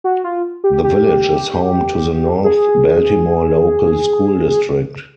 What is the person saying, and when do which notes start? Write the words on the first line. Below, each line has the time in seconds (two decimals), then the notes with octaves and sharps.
The village is home to the North Baltimore Local School District.
0.04 F#4
0.24 F4
0.64 G4
0.84 G4
2.44 G#4